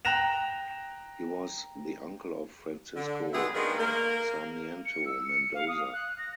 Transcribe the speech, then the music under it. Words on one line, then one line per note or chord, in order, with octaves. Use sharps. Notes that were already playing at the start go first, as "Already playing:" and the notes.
He was the uncle of Francisco Sarmiento Mendoza.
G5 A#5 F#6 A#6 E7 F7
D3
B2 G#3 B3 G4 G#4 E5
D#3 G#3 A#3 B3 D4 A#4
A#3 A#4
C#7
E6
C#7
F5
D#6
F#6
A#6